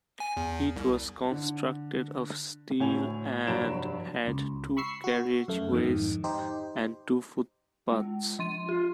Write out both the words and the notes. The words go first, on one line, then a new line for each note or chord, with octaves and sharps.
It was constructed of steel and had two carriage ways and two footpaths.
G#5
E2
C2
D3
D2 A2 C#5 G#5 F7
F1 G2 F#3 C#5 D7 E7
C#2
B5 C#6 E6 C7
F#4
F#2 A3
F2 G#2 D#3
D#4 G4 C5
G#3
F3 C6 D#7
F4 G4